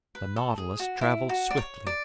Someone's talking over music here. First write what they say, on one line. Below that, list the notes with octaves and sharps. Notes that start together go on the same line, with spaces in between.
The Nautilus traveled swiftly.
B4
A4
G#4
F#4
E4
F#4
D5
C#5
D5